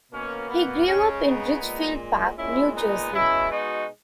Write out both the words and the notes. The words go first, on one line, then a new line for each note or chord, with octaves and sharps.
He grew up in Ridgefield Park, New Jersey.
B2 A#3 C#4
B3
C#3 G#3 C#4
B3 D#4
A#2 G#3
A#2 G#3 C#4 E4
B3 D#4
B2 G#3 C#4 E4
D#4 F#4